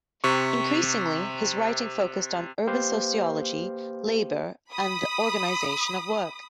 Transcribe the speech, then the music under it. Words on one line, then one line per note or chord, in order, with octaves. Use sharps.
Increasingly, his writing focused on urban sociology, labour, and the organisation of work.
C3 C#6
A#3 G4 B4 C5 F5
B5 D#6